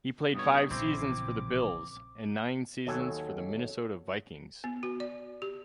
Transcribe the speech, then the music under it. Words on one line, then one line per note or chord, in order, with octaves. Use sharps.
He played five seasons for the Bills and nine seasons for the Minnesota Vikings.
G2 B2 C#5 D#6
A#1 C#3 E3 C4 E4 C5 D6
D#2 F#3 A4 G#5
B3
F#4
D5
G4